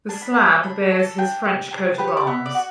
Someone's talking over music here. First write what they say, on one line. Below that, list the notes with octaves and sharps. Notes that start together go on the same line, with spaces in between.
The slab bears his French coat of arms.
D4 A5
B5
A4 A5
D4 B5
A4
A5
D4 G5
G4
D4
G4 B4
C#5
D5
B3 E5
D5
F#4